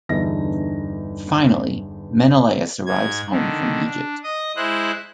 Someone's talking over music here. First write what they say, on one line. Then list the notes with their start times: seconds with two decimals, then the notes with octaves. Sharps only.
Finally Menelaus arrives home from Egypt.
0.09 G1 E2 D3 D#4 E5 A#6
2.86 G#2 G#6
3.30 D3 D#3
3.84 D4
4.24 D#5 D#6
4.56 G#3 E4 C5 F#6